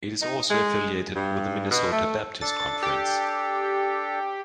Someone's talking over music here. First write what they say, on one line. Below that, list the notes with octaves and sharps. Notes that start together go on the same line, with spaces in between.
It is also affiliated with the Minnesota Baptist Conference.
D#4
G#3
G2
B2
A3
D4 A4 A6
G4